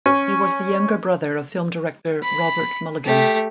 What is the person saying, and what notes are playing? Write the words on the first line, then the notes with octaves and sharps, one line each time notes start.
He was the younger brother of film director Robert Mulligan.
C#4
B5
A3 G4